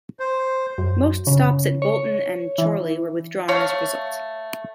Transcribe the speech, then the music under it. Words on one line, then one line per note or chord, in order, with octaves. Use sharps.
Most stops at Bolton and Chorley were withdrawn as a result.
C5
F#2
C#3
C#5
E3
A3 C#5 F5